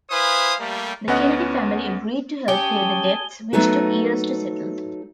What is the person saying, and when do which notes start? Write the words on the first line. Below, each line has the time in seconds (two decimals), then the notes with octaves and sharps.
The Kennedy family agreed to help pay the debts, which took years to settle.
0.11 E4 B4 C5 F5 G#5 D#6
0.59 G3 A3 A#3
1.08 D2 B3 C#4 D#5 F#5
2.48 C#4 G4 G#5 A5 D#6 G7
3.53 F#3 A3 B3 D#4 F#4